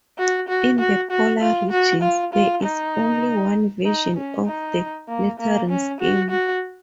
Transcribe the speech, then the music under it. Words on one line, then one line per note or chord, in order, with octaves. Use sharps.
In the polar regions, there is only one version of the lettering scheme.
F#4
F#4
F#4
F#4
F4
F#4
F4
F4
D#4
D#4
C#4
D#4
A#3
A#3
C#4
F#4
F#4